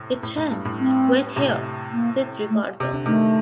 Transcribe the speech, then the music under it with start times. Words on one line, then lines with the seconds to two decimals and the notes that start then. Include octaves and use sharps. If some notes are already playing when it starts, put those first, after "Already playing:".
"It shall wait here," said Ricardo.
Already playing: A2 C3
0.23 A2
0.37 A2
0.52 G2
0.65 A2
0.79 C4
1.36 A2 C3
1.92 A#3
2.50 A3
2.80 C3
2.93 D3
3.06 C3 D#3 A3